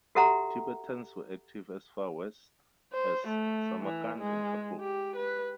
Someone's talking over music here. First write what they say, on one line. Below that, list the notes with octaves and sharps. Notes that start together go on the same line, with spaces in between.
Tibetans were active as far west as Samarkand and Kabul.
F#4 G4 A4 E5 F#5 A#5
C5
A3
E3
G#3
G4
B4